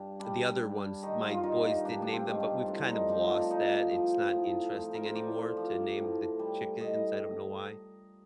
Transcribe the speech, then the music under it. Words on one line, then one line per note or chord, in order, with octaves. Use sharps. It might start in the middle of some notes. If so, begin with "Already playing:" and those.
the other ones, my boys did name them, but we've kind of lost that, it's not interesting anymore to name the chickens, I don't know why.
Already playing: G2
G3 D4
G2
D#3 D#4
F4
F4
G2 D#4
D#4
G2 D4
D4
C4
D#3
D4
A2 D4
D#4
F3 D#4
D4
F3 D#4
F3
A2
F3
A#4
C5
A2 D5
F3
A2
G3
A2 D#5